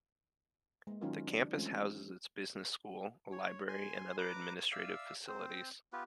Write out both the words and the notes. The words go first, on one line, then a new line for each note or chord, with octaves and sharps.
The campus houses its business school, a library, and other administrative facilities.
G#3 A#3
D#3 F#3 C#4 D#4 F4 A#4
D4
E3 G#3 A3 C4 C#4 F4
C#5
G#5 C6
B4 A#5 D6
D5 E5 F5 E6
C4 C5
B3 F4 G4 B4